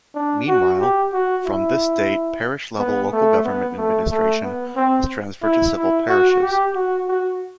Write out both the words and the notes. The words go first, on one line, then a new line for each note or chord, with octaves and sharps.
Meanwhile, from this date parish-level local government administration was transferred to civil parishes.
D4
F#4
G4
F#4
E4
B3
A3
B3
A3
A3
B3
C4
E4
E4
F#4
G4
F#4
F#4